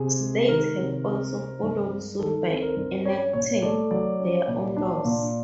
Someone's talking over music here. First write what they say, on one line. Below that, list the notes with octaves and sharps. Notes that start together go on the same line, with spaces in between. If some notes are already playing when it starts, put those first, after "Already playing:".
States have also followed suit by enacting their own laws.
Already playing: C3 G#4
G#3
D#3 A#4
C3
C3
C4
G2
G#3
D#3 A4
C4
A#4
G2
C#4 C#5
A#2 C#5
A3 D5
F#3 D5
C#4
A#2
D4
A#2